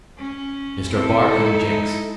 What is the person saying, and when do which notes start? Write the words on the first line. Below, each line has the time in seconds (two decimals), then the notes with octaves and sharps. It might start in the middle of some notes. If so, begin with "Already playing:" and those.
Mr. Barcoe Jenks.
0.18 C#4
0.90 C4 E4 A4
1.27 G#3 D#4